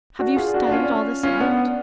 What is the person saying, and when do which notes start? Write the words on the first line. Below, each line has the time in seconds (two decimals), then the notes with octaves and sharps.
"Have you studied all this out?"
0.19 D4 F#4
0.36 F4 G#4
0.54 D4 F#4
0.67 D4
0.71 C#4 F4
1.23 C#4 F4
1.40 B3 D4